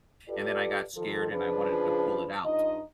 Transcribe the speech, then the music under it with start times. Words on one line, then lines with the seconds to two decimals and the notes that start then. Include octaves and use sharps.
and then I got scared and I wanted to pull it out,
0.28 F4 G4 A4 B4 D5
0.96 D#3 F3 A4
1.30 C#3 F3 D4 F4 G#4 B4
2.44 G2 D#4 F4 D#5